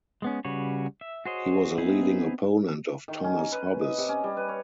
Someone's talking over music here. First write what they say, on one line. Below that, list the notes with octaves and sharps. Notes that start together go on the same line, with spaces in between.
He was a leading opponent of Thomas Hobbes.
G#3 B3 C#4
C#3 G3 F#4 B4 C#5
E5
F#4 G#4 C5 C#5 D#5
B3 C4 D#4 E4 G#4
D#3
C#4
A#5
B4
B4
D#5
C3
C#4
G3
B4
C#5